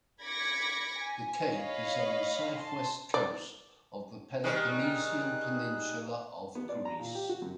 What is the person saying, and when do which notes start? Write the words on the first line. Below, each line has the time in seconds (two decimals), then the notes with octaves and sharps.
The cape is on the south-west coast of the Peloponnesian peninsula of Greece.
0.21 B5 D6 G#6 A#6 B6 C#7
0.98 G#5
1.49 C#5 D#5 F5 B5
2.56 A5 C6
3.14 D5
4.44 D#3 G3 D#4 G#4 F#6
6.55 B3
6.69 D5
6.85 A#5
6.99 A#2
7.15 G4
7.29 F#4
7.42 F#2